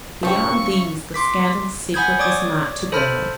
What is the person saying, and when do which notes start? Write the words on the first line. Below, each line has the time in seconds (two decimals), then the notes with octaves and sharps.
Beyond these the scandalous secret was not to go.
0.23 C#3 F3 G4 E5 C#6
1.14 C6 D6 B6
1.94 F#5 G#5 B5 D#6 G6 G#6
2.19 C#5 D5 D6 D#6 G#6
2.92 A4 C5 A5 B5 F6